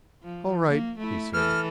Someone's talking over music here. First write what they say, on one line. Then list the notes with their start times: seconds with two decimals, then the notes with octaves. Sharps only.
"All right," he said.
0.23 F3
0.67 A#3
0.98 A3 E4
1.34 E3 A4 F6